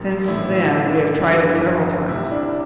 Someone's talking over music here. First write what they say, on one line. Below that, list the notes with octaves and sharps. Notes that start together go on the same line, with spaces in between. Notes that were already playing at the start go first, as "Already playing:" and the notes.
Since then we have tried it several times.
Already playing: A#1 A#2 G3 A#3
A1 A2 E3 E4
G1 F2 D3 G3
C2 C3 G3 E4
D4